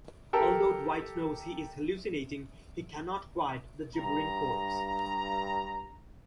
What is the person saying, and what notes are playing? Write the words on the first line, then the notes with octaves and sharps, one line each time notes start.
Although Dwight knows he is hallucinating, he cannot quiet the gibbering corpse.
G4 A4 A#4
G2 A#5